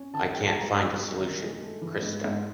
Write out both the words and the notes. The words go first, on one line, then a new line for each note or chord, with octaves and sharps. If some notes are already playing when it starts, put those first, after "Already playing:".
I can’t find a solution, Kristap.
Already playing: C#4
D#3 A5
G#3 G5
A5
G#3 A#5
G2
G2
D#3
G#3
A3
E3
G#2
G#2